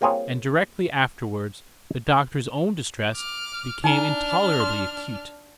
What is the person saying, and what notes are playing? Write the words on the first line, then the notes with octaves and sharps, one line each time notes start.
And directly afterwards the doctor's own distress became intolerably acute.
G3 A#3 C4 F4 G#4 C#5
D6 F6
D4 D#4 G#5 A#5 F6
C6